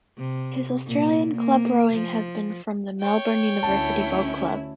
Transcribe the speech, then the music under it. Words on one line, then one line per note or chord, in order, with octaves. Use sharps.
His Australian club rowing has been from the Melbourne University Boat Club.
C3
A#2
A#3
F3
C#5 G5
D2 C#4 E4 A5